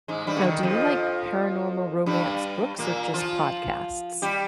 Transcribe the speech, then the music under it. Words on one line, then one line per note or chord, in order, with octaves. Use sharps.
Now, do you like paranormal romance books or just podcasts?
G#2 G#3
G2 G3
D3
D#3
F2 F3
G2 G3
A#2 A#3
F3 F4
G3 G4